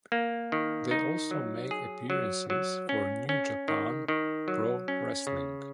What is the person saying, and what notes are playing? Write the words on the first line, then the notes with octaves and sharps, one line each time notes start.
They also make appearances for New Japan Pro Wrestling.
A#3
D#3
D#4
F#3
G#4
F#3
F#3
C#4
C#4
D#3
D#3
F#3
C#4
C#3